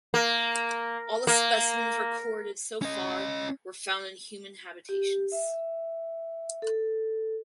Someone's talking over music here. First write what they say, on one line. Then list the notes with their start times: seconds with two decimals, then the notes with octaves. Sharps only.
All the specimens recorded so far were found in human habitations.
0.14 A#3
1.27 A#3
2.82 C#4 D#5
4.89 G4
5.32 E5
6.62 A4